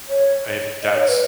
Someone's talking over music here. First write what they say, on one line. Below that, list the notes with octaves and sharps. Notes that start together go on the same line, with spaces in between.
If that's
C#5
D#5
C#5
B4